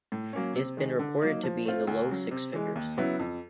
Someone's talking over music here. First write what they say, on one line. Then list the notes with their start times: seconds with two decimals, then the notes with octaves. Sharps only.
It has been reported to be in the low six figures.
0.12 A2
0.33 F#3 A#3 C#4
0.55 C3
0.77 D#3 G#3
0.99 D3
1.22 F#3 A#3 D#4
1.43 F3
1.65 A3 C4 F4
1.87 D2
2.09 C#3 F#3
2.31 C3
2.53 E3 G#3
2.75 D#2
2.97 C#3 F#3 B3 E4
3.19 F2